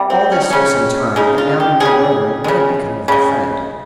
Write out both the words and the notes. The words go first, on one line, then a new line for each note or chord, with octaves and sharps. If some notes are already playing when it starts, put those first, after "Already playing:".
All this took some time, and now we were wondering what had become of our friend.
Already playing: C3 G3 A#3
C4
C#4
D#4
C#3 G#3 C#4
C#3 G#3 D#4
F4
G4
F3 G#3 G#4
C#3
C#3 G#3
C#3 G#3